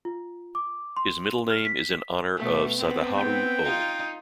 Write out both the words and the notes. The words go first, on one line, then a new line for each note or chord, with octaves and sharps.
His middle name is in honor of Sadaharu Oh.
F4
D6
C6
F6
B6
B2 A3
B3 C4
G5
D#4 F4